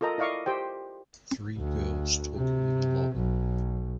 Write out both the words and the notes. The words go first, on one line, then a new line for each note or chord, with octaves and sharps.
Three girls talking in a lobby.
F4 A4 A#4 D#5 A#5
E4 D5 D#5 F5 C#6 D6
G4 C5 G5
D2
C3
B1